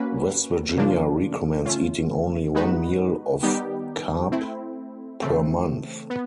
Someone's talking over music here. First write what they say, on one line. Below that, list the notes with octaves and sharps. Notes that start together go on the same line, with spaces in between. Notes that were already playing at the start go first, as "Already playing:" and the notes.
West Virginia recommends eating only one meal of carp per month.
Already playing: A#3 C#4 F#4 B4
C#3 F3 A#3 D4 F4
A3 C#4 F4
G#3 B3 D#4 F#4 B4
D#3 G3 B3 D#4 G4
A3 C4 E4
C#3 E3 A3 C4
B3